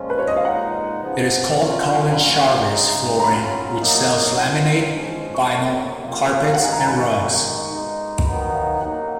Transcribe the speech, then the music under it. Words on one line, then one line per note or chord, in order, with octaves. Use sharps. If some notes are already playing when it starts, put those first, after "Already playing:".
It is called Colin Charvis Flooring which sells laminate, vinyl, carpets and rugs.
Already playing: A#2 F3 G#3 C#4 F4
B4
C#5
D#5
F5
A#2 G#3 D#4 F#5
C#3 F3 B3
F#3 C#4 F4 G#5
F#5
F5
F5
A#2 F#3 C#4 F4 B5
C#3 G#3 D#4
A#5
F#3 C#4 F4 B5
F#3 A#3 D#4
F#3 B3 F4
F3 G#3 C#4
C#6
C#3 F#3 A#3 B5
C#3 F#3 A#3 F4
F5
F#5
D#3 G#3 B3 D#4 G#5
A#5
B5
C#6
D#3 G#3 D#4 C#6
B2 G#3 D#4
D#3 F#3 B3 D#4 B5
F#5
F5
F#3 A#3 D#4 F#5